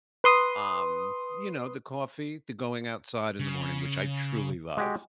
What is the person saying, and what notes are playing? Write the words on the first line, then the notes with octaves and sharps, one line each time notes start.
um, you know, the coffee, the going outside in the morning, which I truly love.
B4 C6 D#6
C#3
G#3 F#4 G4